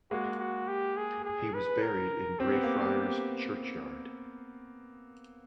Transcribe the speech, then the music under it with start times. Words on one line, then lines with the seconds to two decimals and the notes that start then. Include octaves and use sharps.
He was buried in Greyfriars churchyard.
0.11 G#3 A#3 F#4
0.40 F#4
0.68 G4
0.97 G#4
1.25 G#4
1.54 B4
1.83 A#4
2.40 C4 G4
2.52 B3
2.64 A#3